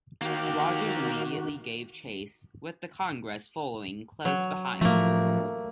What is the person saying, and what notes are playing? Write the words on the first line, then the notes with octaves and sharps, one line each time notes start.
Rodgers immediately gave chase, with the "Congress" following close behind.
D#3 A#3 F#4 G4
F#3
A2 F3 A3 A#3